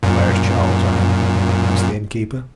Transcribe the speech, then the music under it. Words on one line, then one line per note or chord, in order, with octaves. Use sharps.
"Where is Charles, Ann?" asked the innkeeper.
F#2 A#2